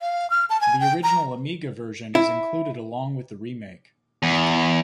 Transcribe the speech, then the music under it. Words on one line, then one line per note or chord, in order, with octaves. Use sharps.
The original Amiga version is included along with the remake.
F5
F6
A5
G#5
G5
A#5
E4
E2